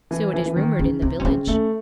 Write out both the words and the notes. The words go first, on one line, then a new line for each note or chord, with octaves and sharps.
'So it is rumored in the village.'
E3
E3
E3
D#3
C#3 D#4
C3 D#4
C#4
C#3 C4
A3 C#4